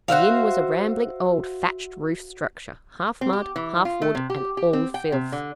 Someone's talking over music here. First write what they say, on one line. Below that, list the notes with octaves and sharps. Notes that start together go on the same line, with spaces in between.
The inn was a rambling old thatched-roofed structure, half mud, half wood, and all filth.
F#4 C5 E5 F5
C4
G4
E3
F4
A3
C3
G4
G4
C4
G5
C3
D3